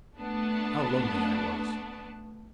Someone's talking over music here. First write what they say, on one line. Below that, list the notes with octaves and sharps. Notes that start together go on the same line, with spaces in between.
How lonely I was!
A3 B3 D4 A5